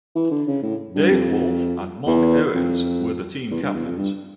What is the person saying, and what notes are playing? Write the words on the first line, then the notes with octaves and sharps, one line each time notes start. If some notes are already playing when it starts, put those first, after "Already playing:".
Dave Wolf and Mark Owens were the team captains.
E3
D3
C#3
A2
G2
F2
E2
F2
E2
G2
E2
F2
G2